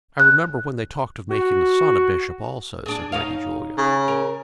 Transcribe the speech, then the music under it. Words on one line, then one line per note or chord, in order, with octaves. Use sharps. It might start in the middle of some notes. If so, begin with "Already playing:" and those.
"I remember when they talked of making the son a bishop also," said Lady Julia.
F#6
F#4
D4 G#4
D#4 C#5 F5
C#3
A#4